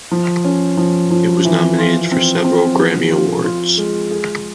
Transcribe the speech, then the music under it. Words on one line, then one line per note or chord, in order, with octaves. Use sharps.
It was nominated for several Grammy Awards.
F3
C#4
F3
F3
E3
F4
C4
C4
F3
F4
F4
G#3
G#4